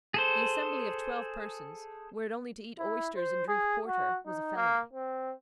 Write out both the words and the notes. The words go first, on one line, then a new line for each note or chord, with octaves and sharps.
The assembly of twelve persons, were it only to eat oysters and drink porter, was a felony.
G#4 A4 C5
E4
C5
G#4
F#4
D#4
A#3
C4